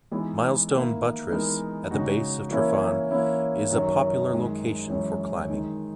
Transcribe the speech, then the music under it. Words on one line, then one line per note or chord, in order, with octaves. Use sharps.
Milestone Buttress at the base of Tryfan is a popular location for climbing.
E3 G#3 B3 D#4
D#3 A#3 E4
E3 G#3 B3 D#4 A#4
C#3 G#3 D#4 F#4
E3 A#3 C#4 E4 A#4
E3 A#3 C#4 E4
F#2 D#3 F#3 C#4
F#2 D#3 G#3
F#2 E3 G#3 C#4
D#3 G#3 D#4